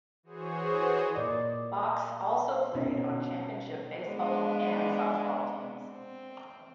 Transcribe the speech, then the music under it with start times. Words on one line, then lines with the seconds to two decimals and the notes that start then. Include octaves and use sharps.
Box also played on championship baseball and softball teams.
0.23 E3 F#4 G#4 C5 C#5
1.15 A#2 A#4 D5 D#5
2.75 B2 C4 C#4 D#4
4.04 G#3 B3 D4
5.86 C4